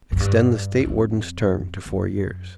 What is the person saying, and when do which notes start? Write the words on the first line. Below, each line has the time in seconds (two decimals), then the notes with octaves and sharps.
Extend the State Warden's term to four years.
0.12 F#2
0.20 G2
0.80 F#2
0.86 F2
1.86 F#2